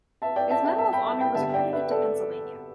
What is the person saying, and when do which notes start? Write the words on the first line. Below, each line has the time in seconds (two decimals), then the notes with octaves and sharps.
His Medal of Honor was accredited to Pennsylvania.
0.22 E5 A5
0.36 D5 G5
0.50 E5 A5
0.65 E5 A5
0.78 E5 A5
0.93 G5 B5
1.07 E5 A5
1.21 G5 B5
1.35 G2 D3 B3 E5 A5
1.54 D5 G5
1.73 B4 E5
1.91 A4 D5